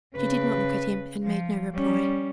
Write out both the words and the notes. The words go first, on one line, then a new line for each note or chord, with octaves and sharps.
She did not look at him, and made no reply.
C#3 B4
F3
G3 C#4